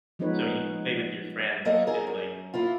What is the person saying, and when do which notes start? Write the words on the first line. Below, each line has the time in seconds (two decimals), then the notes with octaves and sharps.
So, you can play with your friends and, like,
0.19 F3 G#3 B3 D#4 B4 C#5
1.65 F#3 A#3 B3 A4 A#4 D#5
1.87 G#4 A#4
2.07 F#2
2.54 A#3 E4 F4